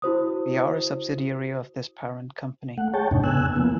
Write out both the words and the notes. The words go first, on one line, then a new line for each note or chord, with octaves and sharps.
We are a subsidiary of this parent company.
E4 F#4 C5 D#6
A3 F#5
G#4 C#5 G5 A5
F2 G#2 C3 D4 D#4
C#3 B3 G#5 E6 F#6
E3 F3 A#3 B3